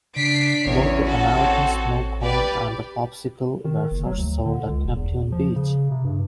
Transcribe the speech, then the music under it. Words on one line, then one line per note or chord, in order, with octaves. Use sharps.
Both the American snow cone and the popsicle were first sold at Neptune Beach.
C#3 D4 B6 C7 D7
A1 E2 C#4 C#5
F#4 A4
C4 C#5
G4 B4 D5
D#3
F#1
F#3
D2
D3
C#2
F1
E2
F3
C#3
C3
G2